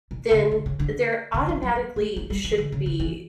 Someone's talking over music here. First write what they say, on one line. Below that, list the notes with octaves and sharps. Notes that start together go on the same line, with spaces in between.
then there automatically should be,
B2
C#3
D3
C#3
D3
D3
E3
F#3
F#3
A3
A3
G3
E3
D3
C#3
D3
E3